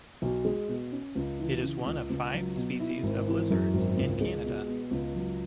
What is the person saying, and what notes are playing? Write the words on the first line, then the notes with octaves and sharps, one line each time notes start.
It is one of five species of lizards in Canada.
B1
G#3
B2
C#4
C#2
E3
C#3
C#2
C#2
F#3
B2
E4
G#1
E3
F#2
G#1
C#2
G#3
B2
B3
C#2
F#3